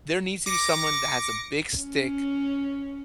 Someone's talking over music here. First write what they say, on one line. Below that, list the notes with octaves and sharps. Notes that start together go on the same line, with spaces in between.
There needs to be someone that has a big stick
D6 A#6 C#7
C#4